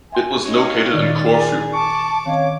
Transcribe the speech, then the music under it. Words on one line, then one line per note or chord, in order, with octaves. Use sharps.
It was located in Corfu.
E5 G5 G#5 C6
C#4 D#4 C#5 D#5 F5
A#2 D#3 D5
G#4 G#5
A5 C#6 D6
D#3 C4 C#4 C#5 D#5 F5